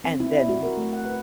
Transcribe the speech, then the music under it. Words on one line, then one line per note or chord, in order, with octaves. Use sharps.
and then, w
C4
E4
D5
F#4
A#4
A3
F#5
B4